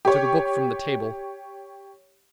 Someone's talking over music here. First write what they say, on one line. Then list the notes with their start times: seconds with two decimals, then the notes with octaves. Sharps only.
I took a book from the table.
0.05 G4 C#5